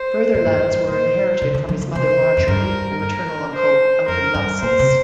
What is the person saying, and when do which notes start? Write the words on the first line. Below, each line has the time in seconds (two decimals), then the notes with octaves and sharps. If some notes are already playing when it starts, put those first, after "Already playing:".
Further lands were inherited from his mother Marjorie and maternal uncle Duncan Lascelles.
Already playing: C5
0.34 A#2
0.46 G2
0.57 F2
0.69 G2
0.88 A#2 C5
1.42 C3
1.54 D3
1.69 F3
1.82 D3
1.95 C3 C5
2.37 F2
2.48 G2 A#4
3.02 A#4
3.55 C5
4.08 F2 A#4
4.34 G2
4.61 A#2 C5
4.79 C3